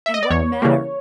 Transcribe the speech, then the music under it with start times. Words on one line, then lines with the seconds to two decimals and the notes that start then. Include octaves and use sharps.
And what matter?
0.06 E5
0.14 D#5
0.23 D5
0.30 E2 C#5
0.62 C#3 E3 G3 A#3